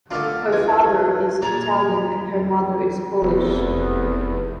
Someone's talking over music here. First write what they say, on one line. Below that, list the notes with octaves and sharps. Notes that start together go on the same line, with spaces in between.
Her father is Italian and her mother is Polish.
D3 A3 D4 F4 D6 F6
E3 F4 D#5 G#6
A#2 D5 A#5 G#6
F1 E2 C3 A3 B3